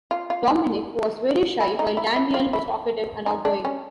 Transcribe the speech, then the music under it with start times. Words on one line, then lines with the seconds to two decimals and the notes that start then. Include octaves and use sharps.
Dominique was very shy while Danielle was talkative and outgoing.
0.11 F4
0.30 F4
1.61 E4
1.79 D#4
1.97 E4
2.16 E4
2.34 F4
2.53 E4
3.26 D#4
3.45 D4
3.65 C#4